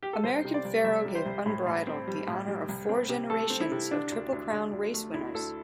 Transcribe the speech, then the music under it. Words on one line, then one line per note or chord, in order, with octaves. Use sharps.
American Pharoah gave Unbridled the honour of four generations of Triple Crown race winners.
G4
A4
C2 C5
C3
D5
C2
C2 E5
C3
C5
C2
A2
A2
C4
G3
A2
G3
C2
C4
C3
A3 A4
C4
E4
C3
D3 D4
D2
D2
D2
D2
A3
D2 E4
D2 A4